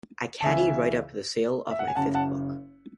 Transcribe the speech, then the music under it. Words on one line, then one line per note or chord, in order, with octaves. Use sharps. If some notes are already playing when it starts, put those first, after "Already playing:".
I caddied right up to the sale of my fifth book.
A5
C#2 C#3 E3 E5 G#5
E5
F#5
G#5
F#1 F#2 C#3 F#5 A5
F#5 A5